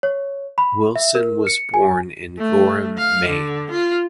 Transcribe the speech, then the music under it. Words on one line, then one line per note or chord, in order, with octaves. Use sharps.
Wilson was born in Gorham, Maine.
C#5
B5
E5
A#4
C#7
G#5
A3
F5
D3
F4